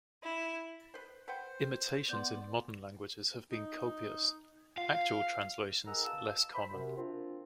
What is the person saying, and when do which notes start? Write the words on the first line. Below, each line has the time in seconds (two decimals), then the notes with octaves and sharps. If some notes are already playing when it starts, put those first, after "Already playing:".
Imitations in modern languages have been copious, actual translations less common.
0.22 E4
0.94 B4 C5
1.28 B4 C5 F#5 G5
2.09 B3 D5 C6 G6
3.51 D#4
4.78 F4 F5
5.86 D#3 G#4 F#5 A#5 E6
6.04 B2 F5 A5 E6
6.53 C5 B5
6.72 F#2 C3
6.96 A#3 C4 D4 F4